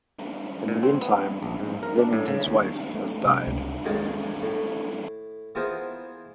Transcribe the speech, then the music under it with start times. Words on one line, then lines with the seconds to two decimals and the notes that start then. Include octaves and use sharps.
In the meantime, Leamington's wife has died.
0.68 A#2
0.83 C4
1.02 B3
1.43 A#1
1.60 G#2
1.83 A#4
1.99 D4
2.13 A2
2.28 C#3
2.47 D#2
2.95 A3
3.26 C3
3.47 C#2
3.84 F2 D#3 F#3 G#3 C#4 D4
4.42 A2
5.55 E3 B3 F4 G#4 A#4 C5